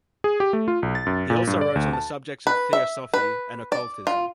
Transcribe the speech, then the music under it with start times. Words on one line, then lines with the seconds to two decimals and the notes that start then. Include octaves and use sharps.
He also wrote on the subjects of theosophy and occultism.
0.24 G#4
0.40 G4
0.53 A3
0.68 F4
0.83 B1
0.95 A6
1.06 F#2
1.30 A#2
1.47 G2
1.61 D5
1.76 D2
1.93 A5
2.47 B4
2.73 E5
3.14 B4
3.72 D5
4.07 F4